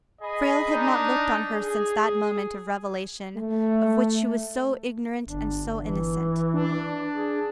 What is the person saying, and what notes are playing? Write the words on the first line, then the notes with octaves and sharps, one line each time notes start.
Frale had not looked on her since that moment of revelation, of which she was so ignorant and so innocent.
G#4 D#5 B5
D4 D#4
G#4
A3
G1 D4
E3
D4
G#4